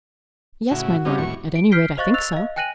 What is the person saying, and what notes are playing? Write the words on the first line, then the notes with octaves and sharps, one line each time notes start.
"Yes, my lord; at any rate, I think so."
A2 C#3 E4 F#4
G3 C4 C#4 D#4 G4
D#2 A2 E4 C#6
D7
F6 G6 B6 C7 D7 G7
C5 D#5 F5 C#6 F#6 A6
E6 F#6 A6 F7
D#5 F5
G5 G#5 F#6 A#6 D#7 F#7